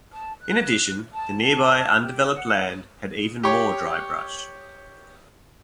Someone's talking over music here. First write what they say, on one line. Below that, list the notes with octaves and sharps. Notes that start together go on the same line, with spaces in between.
In addition, the nearby undeveloped land had even more dry brush.
A5
F#6
A5
G4
F#5
G4 C#5